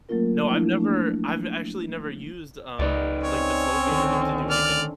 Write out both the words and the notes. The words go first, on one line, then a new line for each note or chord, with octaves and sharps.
No, I've never I've actually never used, um, like, the slow cooker to do anything.
F#3 A3 A#3 C#4 F4 A#4
F3 A3 D4 E4
A3 A#3 D4
C#2 D#4 B4 D5
C4 C#4 C#5
D3 D#3
D5 F6